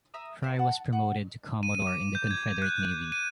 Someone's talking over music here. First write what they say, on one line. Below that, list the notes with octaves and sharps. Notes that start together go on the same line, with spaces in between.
Fry was promoted to Commodore in the Confederate Navy.
E5 A#5 D#6
A#4 C5 F5
F#5 A5
F#5
D#7
D#7
D6
G6
G#6
F#6
D#7